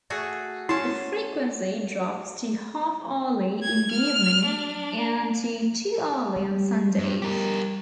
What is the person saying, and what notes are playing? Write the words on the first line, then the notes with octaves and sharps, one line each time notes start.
The frequency drops to half-hourly in the evening and to two-hourly on Sundays.
A3 F#4 G#4
C#4 E4 A5
G#6
F6
D4
G3
G2
G4 A#4